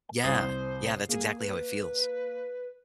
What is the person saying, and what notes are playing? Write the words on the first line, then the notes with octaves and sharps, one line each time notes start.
Yeah. Yeah, that's exactly how it feels.
C2 C5 D#6 C7
A#3 G#4
B4